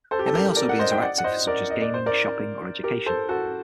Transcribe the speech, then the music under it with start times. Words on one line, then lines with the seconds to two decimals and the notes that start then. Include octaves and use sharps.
It may also be interactive, such as gaming, shopping, or education.
0.11 A4 C5
0.19 G4
0.26 A4
0.34 G4 A#4
0.56 A#4 D5
0.69 F#5
0.79 C5 D#5
0.91 G5
1.02 D5 F#5
1.18 F#5
1.24 C5 D#5
1.47 A#4 D5
1.70 D#5
1.82 D5
1.94 C5
2.06 A#4 D5
2.84 G4 A#4
3.06 A4 C5
3.29 F#4 A4